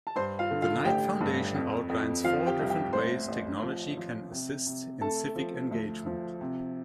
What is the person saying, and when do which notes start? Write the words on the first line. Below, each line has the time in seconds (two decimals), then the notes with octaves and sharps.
The Knight Foundation outlines four different ways technology can assist in civic engagement.
0.07 A5
0.16 G2 C5 C6
0.39 F4 F5
0.51 D3
0.62 F4 F5
0.85 A1 G4 G5
1.21 G2
1.55 F2
1.90 F2
2.24 F3 F4 F5
2.47 G4 G5
2.59 C2
2.70 G4 G5
2.93 A1 C5 C6
3.28 A1
3.62 F3
3.97 F3
4.32 C3
4.67 C3
5.01 A3 A4 A5
5.36 F3
5.71 D2
6.06 F3
6.41 C3